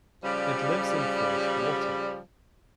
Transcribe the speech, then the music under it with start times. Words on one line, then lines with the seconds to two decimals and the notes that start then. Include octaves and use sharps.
It lives in fresh water.
0.24 C#3 F3 G3